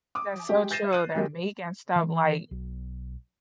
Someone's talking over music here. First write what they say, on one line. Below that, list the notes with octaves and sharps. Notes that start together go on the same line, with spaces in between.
That's so true, they're making stuff like
D6 D#6
G#3 G4
G6 A6 A#6 C7 D#7 E7
F#6 D#7
F#3 G#3 A#3 G4
E3
B1